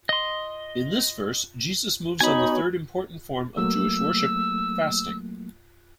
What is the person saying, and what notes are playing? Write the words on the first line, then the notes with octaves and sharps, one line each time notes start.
In this verse Jesus moves on the third important form of Jewish worship: fasting.
D#5 C6
B3 D#4 F#4 C#5 G#5 B5
F#3 A3 A#3 E6